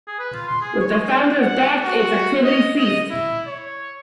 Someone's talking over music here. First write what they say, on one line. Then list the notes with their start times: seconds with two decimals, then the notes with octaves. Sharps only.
With the founder's death, its activities ceased.
0.07 G#4
0.19 B4
0.33 F4
0.47 C6
0.61 G#4
0.80 C#5
0.94 G#4
1.41 F#5
1.84 F#4
2.43 D#5
2.78 D#5
3.10 E4
3.47 C#5